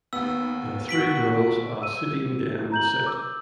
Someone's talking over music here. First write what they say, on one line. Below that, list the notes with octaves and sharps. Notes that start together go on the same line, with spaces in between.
The three girls are sitting down the set.
D#2 B3 E6
F#4 B6 D7 F#7
E6 D#7
A#5 G6 F#7
D6 E6